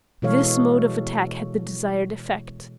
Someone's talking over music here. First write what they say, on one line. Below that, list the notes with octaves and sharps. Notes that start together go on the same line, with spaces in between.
This mode of attack had the desired effect.
B2 E3 G#3 A4 C#5 F5